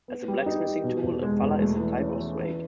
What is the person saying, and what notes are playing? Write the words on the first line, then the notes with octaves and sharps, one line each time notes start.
As a blacksmithing tool, a fuller is a type of swage.
B3
G3
D#4
G4
B2
E2
G#3
E2
A3
E3
C#4
E3
E3